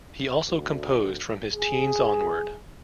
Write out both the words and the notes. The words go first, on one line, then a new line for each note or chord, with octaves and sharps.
He also composed from his teens onward.
D2
G#4